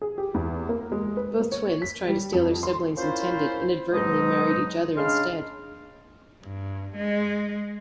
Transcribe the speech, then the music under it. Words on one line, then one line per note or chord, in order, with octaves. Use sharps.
Both twins, trying to steal their sibling's intended, inadvertently married each other instead.
G#4
G4
E2
A#3
G#3
B4
A#3
C#5
B6
G3
F2
C6
A#3 C#4 E4 F4 C5
G#2 B2 F#3 G#3 D#4 D#6
C#3 G#3 D4 C6 F6
G2
G#3